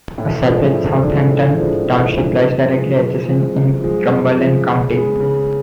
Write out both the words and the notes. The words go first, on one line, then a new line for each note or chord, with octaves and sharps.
A separate Southampton Township lies directly adjacent in Cumberland County.
A2
F3 G#3 D4
A2
F3 G#3 D4
A2
F3 G#3 D4
A2
F3 G#3 D4
F#2
F3 G#3
F#2
F3 G#3
F#2
F3 G#3
F#2
F3 G#3
C#3
G#3 B3
C#3